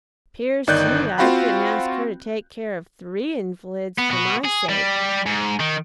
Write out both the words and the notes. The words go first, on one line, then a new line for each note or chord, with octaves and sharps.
'Pears to me I couldn't ask her to take care of three invalids for my sake.
G1 D#3 D#4 D5 F#6 G6
C4 F4 F#4 F5 G5 B5
B3
B3 F#4
G#4
G3
G#2
D#3